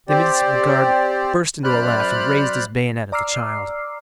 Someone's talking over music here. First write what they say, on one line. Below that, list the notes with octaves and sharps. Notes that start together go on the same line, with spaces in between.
The municipal guard burst into a laugh and raised his bayonet at the child.
C4 G4 C5 D5
F#2 C5 D5 B5 F6 F#6
D5 A#5 D6 E6 F6 C7